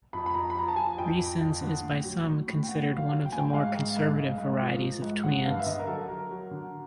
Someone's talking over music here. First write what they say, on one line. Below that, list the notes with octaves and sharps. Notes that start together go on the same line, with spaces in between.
Riessens is by some considered one of the more conservative varieties of Tweants.
F2 B5
B5
F2 A#5
B5
F3 A#5
A5
F3 G#5
F2 G5
F2
F2
D3
A2
F#3
A2
A2
G5
A2 F#5
F#3
F5
F#3
G5
A2 G#5
G5
G#2 F5
G#2
G#2
G#2
G#2
F3
F3
G#2
D3 F#5
G2 F5
E5
D3 D#5
A#4
F#3 A4
F#3 A#4
F#3
D3